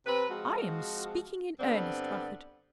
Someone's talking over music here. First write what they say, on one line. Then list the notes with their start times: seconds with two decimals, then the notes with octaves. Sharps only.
I am speaking in earnest, Rufford.
0.06 C3 C4 B4
0.30 F3 G#3 C4 F#4
1.60 G2 D3 B3 C4 D5